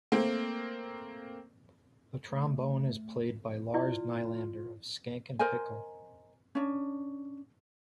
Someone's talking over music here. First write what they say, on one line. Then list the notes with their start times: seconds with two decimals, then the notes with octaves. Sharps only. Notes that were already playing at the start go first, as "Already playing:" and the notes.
The trombone is played by Lars Nylander of Skankin' Pickle.
0.12 A3 A#3 C4
2.29 A3
3.74 E4 F4 D5
5.39 A#4 C5 D#5 G#5
6.55 C#4 D4